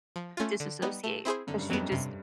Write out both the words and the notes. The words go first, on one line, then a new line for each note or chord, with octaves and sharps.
disassociate 'cause she just
F3
A3 C#4 F4
D3
G3 B3 D#4
A3
C4 E4 G#4 C5
F#2 D3
G2
F2 F#3 B3
F#2
G2 C3